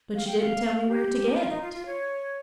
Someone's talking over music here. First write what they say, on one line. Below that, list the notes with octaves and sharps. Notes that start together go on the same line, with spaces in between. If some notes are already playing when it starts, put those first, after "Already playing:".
"But you didn't tell me where to get it."
F5
G5
F5
G4
D#4
F4
D#4
F4
F4
C#5